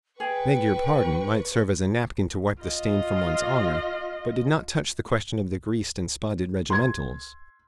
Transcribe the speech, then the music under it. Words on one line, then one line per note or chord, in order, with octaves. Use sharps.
"Beg your pardon" might serve as a napkin to wipe the stain from one's honor, but did not touch the question of the greased and spotted regimentals.
G#4 B4 G5 C#6
F4 D#5
C6 G#6